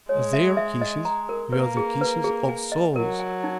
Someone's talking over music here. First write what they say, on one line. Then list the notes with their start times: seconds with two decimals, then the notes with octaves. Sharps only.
Their kisses were the kisses of souls.
0.09 G#3 C#5
0.33 E5
0.57 E5
0.81 D#5
1.05 A#5
1.29 A#4
1.52 A#3 B4
1.77 G#4
2.01 B4
2.24 G#4
2.49 G#5
2.72 D#5
2.96 F#3 A#4
3.20 G#5
3.44 D#4